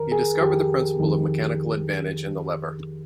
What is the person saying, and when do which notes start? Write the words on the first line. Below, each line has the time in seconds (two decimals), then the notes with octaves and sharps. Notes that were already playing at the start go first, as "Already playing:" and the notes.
He discovered the principle of mechanical advantage in the lever.
Already playing: F2 D#3 A#4
0.12 G#4
0.41 F2 D#3 G4
1.00 F2 D#3